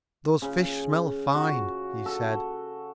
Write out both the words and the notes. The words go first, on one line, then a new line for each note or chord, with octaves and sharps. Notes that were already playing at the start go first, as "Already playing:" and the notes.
"Those fish smell fine," he said.
C#3
F#4
A4